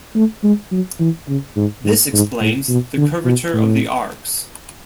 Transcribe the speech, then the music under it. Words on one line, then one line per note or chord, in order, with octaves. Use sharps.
This explains the curvature of the arcs.
A3
G#3
F#3
E3
C#3
G#2
G#2
G#2
A2
B2
D3
B2
A2